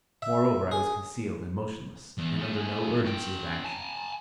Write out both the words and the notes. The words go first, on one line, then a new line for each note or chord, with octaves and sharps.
Moreover, I was concealed and motionless, and under no urgency of action.
E5
G#4
E2
A3 G#4
C#4 G5
G#5 A5